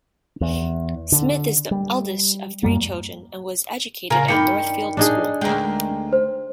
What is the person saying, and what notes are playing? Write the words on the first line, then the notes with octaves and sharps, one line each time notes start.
Smith is the eldest of three children, and was educated at Northfield School.
E2
D3
G3
F#2 G3 A#3
C#3 F4 A#4 G#5
G2 D#3 A#4 D5 G5 B5 C#7
D4 D#4 G#4
D2 G#3 A#4 G5
C5